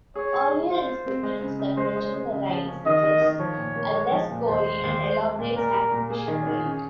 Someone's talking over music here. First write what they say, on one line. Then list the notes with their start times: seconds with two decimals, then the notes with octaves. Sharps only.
Earlier inscriptions that mention the rite suggest a less gory and elaborate sacrificial rite.
0.16 G#4 C#5
0.34 G#4
0.51 G#4
0.70 F4 C5
0.87 F4
1.06 C4
1.23 G#3
1.41 C#3
1.59 C#3
1.77 G#3 C5
1.96 G#3
2.14 G#3
2.32 C#3
2.49 F3
2.67 C#4
2.86 D#3 D#5
3.04 D#3
3.21 D#3
3.40 F3 C#5
3.57 A#2
3.76 A#3
3.94 G#3
4.12 F3
4.31 A#2
4.48 D#2 C5
4.66 G#3
4.84 D#2
5.03 G#3
5.20 G#3
5.39 A#2
5.56 A#2 A#4
5.74 G3
5.92 A#2
6.10 A#3 G#4
6.28 D#3
6.46 D#3
6.64 C#4